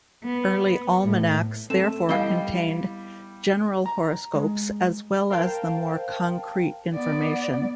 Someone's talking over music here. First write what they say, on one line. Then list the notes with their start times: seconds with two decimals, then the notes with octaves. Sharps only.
Early almanacs therefore contained general horoscopes, as well as the more concrete information.
0.24 B3
1.03 A2
1.70 A3 C4 E7
2.09 G3 B3 E4 D#5 F5 G5 G7
3.86 A#5
4.35 G#3
5.30 A#4 C5 F5 G5 A5
6.95 B3 D5